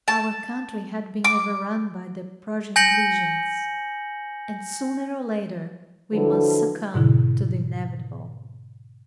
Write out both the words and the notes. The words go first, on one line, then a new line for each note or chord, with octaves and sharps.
Our country had been overrun by the Prussian legions, and sooner or later we must succumb to the inevitable.
A5
D6
G#5 G6 A#6 C#7 F#7
D3 F3 F#3 E4 A4 B4
G#2 B2 D3 E4